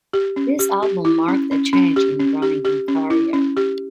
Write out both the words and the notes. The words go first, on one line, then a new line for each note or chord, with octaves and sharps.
This album marked a change in Branigan's career.
G4
C#4
G4
G4
E4
C#4
C#4
C#4
G4
C#4
G4
G4
C#4
E4
C#4
G4